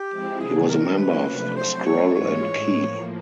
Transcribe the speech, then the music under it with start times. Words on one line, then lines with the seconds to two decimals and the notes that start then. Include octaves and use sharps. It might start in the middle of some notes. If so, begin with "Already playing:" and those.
He was a member of Scroll and Key.
Already playing: G4
0.11 F3 G#3 C4 E4
0.39 C3 D#3 F#3 A3 D4 G#4
0.69 C3 D#3 G#3 A#4
0.98 F#3 A#3 C#4 B4
1.27 C3 F3 A3 D4
1.56 F#3 A3 C4 C5
1.85 F#3 A3 D4 C#5
2.15 G#2 E3 G#3 C#4 F4 C#5
2.44 A2 E3 G#3
2.72 A2 F3 A#3